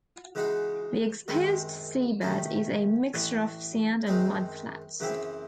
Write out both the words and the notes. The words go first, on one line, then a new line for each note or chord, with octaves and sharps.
The exposed seabed is a mixture of sand and mud flats.
C#3 E3 G#3 D#4 F#4
F#2 D#3 G#3 C4
C3 D#3 A3 C#4
A1 A2 E3
F#2 D#3 G#3 C4 D#4
F#2 C#3 E3 C4 E4